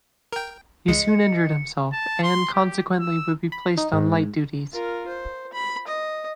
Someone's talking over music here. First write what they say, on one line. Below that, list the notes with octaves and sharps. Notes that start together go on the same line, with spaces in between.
He soon injured himself and consequently would be placed on light duties.
A#4 G5
C#2 G#3 D#5 C#7
A5
C6
G4
E6
B5
D#4
G#2
F4 A#4
C5
B5
D#5